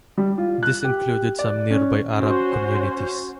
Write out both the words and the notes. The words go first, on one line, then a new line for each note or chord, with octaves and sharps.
This included some nearby Arab communities.
G3
F4
F#6
G4
D5
C#4
C#4 F#4 C5 C#5